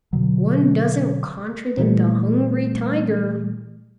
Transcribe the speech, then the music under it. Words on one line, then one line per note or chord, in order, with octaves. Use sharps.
One doesn't contradict a hungry tiger.
B2 D3 F#3
A#2 E3 G3 A3